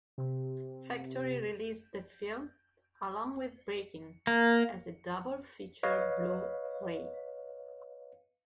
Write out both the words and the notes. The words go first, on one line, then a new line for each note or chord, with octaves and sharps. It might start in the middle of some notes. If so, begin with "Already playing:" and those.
Factory released the film, along with "Breakin"', as a double feature Blu-ray.
C3
A#3
B4 C#5 D#5 F5